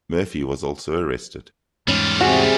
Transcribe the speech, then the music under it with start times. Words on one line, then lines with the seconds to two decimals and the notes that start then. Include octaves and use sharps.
Murphy was also arrested.
1.88 E2 G#2 G3 C#4 F4
2.21 C3 F#4 G#4